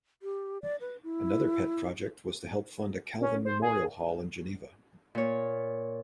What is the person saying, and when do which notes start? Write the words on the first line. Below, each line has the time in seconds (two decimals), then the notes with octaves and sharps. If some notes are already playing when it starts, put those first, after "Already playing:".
Another pet project was to help fund a Calvin memorial hall in Geneva.
0.22 G4
0.62 D5
0.81 B4
1.03 E4
3.21 C#4
3.45 C5
3.62 G#4
5.15 A#2 C#5